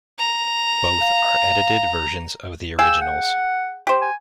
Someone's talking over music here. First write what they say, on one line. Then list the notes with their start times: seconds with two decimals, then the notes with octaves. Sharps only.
Both are edited versions of the originals.
0.18 A#5
1.01 F5
2.79 G#4 F5 G5 E6
3.02 F#5
3.87 G4 C5
4.02 G#5